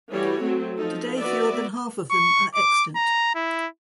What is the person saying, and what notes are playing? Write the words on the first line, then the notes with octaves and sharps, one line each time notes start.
Today fewer than half of them are extant.
E3 G3 A3 F#4 C#5
F#3 A3 C4
F3 D#4 A4
B3 F#4 B4 D5 E5
C#6
D6
A#5
E4